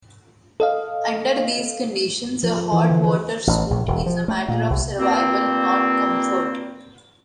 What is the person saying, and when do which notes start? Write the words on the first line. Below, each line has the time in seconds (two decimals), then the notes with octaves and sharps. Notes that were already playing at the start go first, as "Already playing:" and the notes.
Under these conditions a hot water suit is a matter of survival, not comfort.
0.60 A4 D#5 F5
2.43 F3
2.57 A4
2.72 E3
2.90 D3
3.04 B4
3.47 A1
3.70 A#1
3.88 E1
4.06 F3
4.28 A3
4.48 A#2
4.70 C2
4.99 G2 A#2 A#3 C4